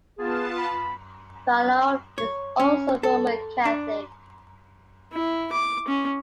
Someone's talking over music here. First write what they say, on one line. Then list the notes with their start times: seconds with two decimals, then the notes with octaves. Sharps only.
Vallone is also a Roman Catholic.
0.18 B3 F4 G#4 A5
0.58 B5
2.18 C#5
2.60 C#4
3.03 A4
3.65 D4
5.13 E4
5.52 D6
5.88 C#4